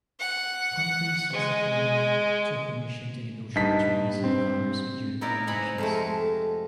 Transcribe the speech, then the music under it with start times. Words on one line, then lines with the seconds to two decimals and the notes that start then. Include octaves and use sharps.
Humphreys was appointed to a commission to negotiate treaties of commerce with European nations.
0.20 F#5
1.33 G#3
3.56 G2 D#4 A5 B6
4.24 C4
5.21 B3 D#4 E4 A#4 D5 A#5
5.47 C3 D#4 F#5 G#5 A#5 B5
5.78 F2 G#3 A3